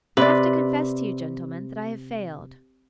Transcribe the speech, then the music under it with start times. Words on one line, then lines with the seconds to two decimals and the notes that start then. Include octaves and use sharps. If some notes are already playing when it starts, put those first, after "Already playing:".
I have to confess to you, gentlemen, that I have failed.'
0.17 C3 B4 D5